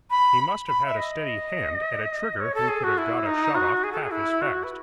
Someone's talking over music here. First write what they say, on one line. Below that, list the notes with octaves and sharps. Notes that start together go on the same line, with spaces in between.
He must have had a steady hand at a trigger who could have got a shot off half as fast.
B5
B5
E5
D#5
C#5
A4
G#4
F#4
E4
D#4
F#4
G#4
A4
G#4
E4
F#4
B4